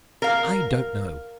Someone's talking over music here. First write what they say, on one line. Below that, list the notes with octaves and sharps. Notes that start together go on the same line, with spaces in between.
I don't know.
A#4 F5